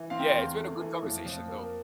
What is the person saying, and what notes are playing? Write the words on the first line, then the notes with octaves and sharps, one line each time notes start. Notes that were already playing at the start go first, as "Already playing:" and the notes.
Yeah, it's been a good conversation, though.
Already playing: E3
C4 F5
G5
E2 F5
A3
E3
F2
F2
A#3